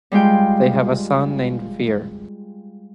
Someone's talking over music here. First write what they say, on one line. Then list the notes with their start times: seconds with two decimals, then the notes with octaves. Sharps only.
They have a son named Veer.
0.12 G3 G#3 F4 G5